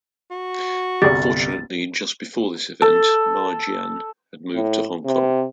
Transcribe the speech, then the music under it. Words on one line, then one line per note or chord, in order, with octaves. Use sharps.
Fortunately, just before this event, Ma Jian had moved to Hong Kong.
F#4
G1 C2 G4 G#4 D5 A6
A4
A2
C3